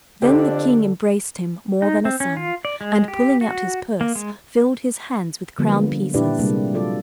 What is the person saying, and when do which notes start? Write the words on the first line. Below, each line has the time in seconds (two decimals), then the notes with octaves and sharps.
Then the King embraced him more than a son, and pulling out his purse, filled his hands with crown-pieces.
0.22 F2 D3 D4 G4 A4
1.82 D#4
2.05 C4
2.20 C#4
2.37 F4
2.65 D5
2.81 G#3
3.08 G4
3.41 F#4
4.01 A#3
4.15 G#3
5.59 D3 F3 G3 A#3 B3
6.14 A#2 D4 E4 G4 B4 D5
6.39 C3 G3 G#3 A#3
6.74 F#3 F4 A4 D5